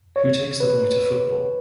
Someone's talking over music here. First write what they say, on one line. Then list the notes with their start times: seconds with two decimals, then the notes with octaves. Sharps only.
Who takes the boy to football?
0.16 C#5
0.60 B4